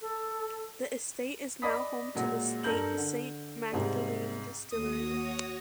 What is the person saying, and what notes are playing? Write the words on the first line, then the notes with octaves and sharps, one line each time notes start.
The estate is now home to the St Magdalene distillery.
A4
D5 D#5 B5 D#6 B6
A#2 F#3 G#3
G2 A4 A#4 G6 F#7
D3
G#2 C3 G3
D#2 F#4 C#5 D#6 A#6